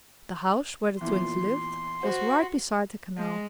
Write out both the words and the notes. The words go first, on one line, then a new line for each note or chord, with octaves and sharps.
The house where the Twins lived was right beside the canal.
E2 A#2 C6
F#4 C5
G#3